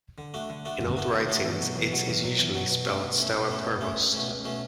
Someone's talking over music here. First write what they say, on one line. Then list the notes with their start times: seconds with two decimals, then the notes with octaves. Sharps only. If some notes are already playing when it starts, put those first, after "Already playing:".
In old writings it is usually spelled Stower Provost.
0.18 D3
0.34 A3 D4 F#4
0.50 D3
0.65 A3 D4 F#4
0.81 D3
0.97 A3 D4 F#4
1.12 D3
1.29 A3 D4 F#4
1.44 E2
1.60 B2 F#3
1.76 E2
1.91 B2 F#3
2.07 E2
2.23 B2 F#3
2.39 E2
2.54 B2 F#3
2.70 B2
2.86 A3 C#4
3.02 B2
3.18 A3 C#4
3.33 B2
3.50 A3 C#4
3.65 B2
3.81 A3 C#4
3.97 C#2
4.13 B2 A3 C#4
4.28 C#2
4.44 B2 A3 C#4